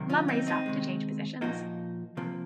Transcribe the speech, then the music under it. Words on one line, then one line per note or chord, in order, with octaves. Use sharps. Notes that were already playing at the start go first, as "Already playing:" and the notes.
Lum raised up to change positions.
Already playing: C3 D#3 F#3 A#3
C#4 F4
C4 D#4
C4 D#4
C3 D#3 G#3
A#2 F3 A#3 D#4 F#4
C3 F3 A#3